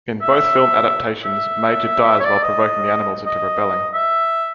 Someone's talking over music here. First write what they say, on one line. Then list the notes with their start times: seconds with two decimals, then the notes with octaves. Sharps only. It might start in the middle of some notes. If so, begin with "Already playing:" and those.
In both film adaptations, Major dies while provoking the animals into rebelling.
0.22 E5
1.24 E5
2.20 C#5
2.25 D5
2.43 D#5
3.27 D#5
3.94 E5